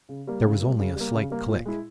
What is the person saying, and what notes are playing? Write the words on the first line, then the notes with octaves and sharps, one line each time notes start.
There was only a slight click.
C#3
G3 A#3
C#3
G3 A#3
C#3
G3 A#3
C#3
G3 A#3
A#2
G#3 E4